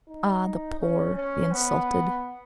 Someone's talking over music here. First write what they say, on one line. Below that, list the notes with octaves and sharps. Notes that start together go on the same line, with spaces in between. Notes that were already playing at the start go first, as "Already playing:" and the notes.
Ah, the poor, the insulted!...
D#4
C#4
C#4
B3